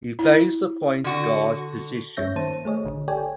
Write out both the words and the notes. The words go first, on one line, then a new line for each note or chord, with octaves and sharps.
He plays the point guard position.
E4
D3 F#4
G2 C#4 C#5 E5 G6 A#6
D#3 A#3 C5 A5 D#7
A3 G#4 C#5 D#5
A1 D3
G4 A4 C#5 D5 G5 G#5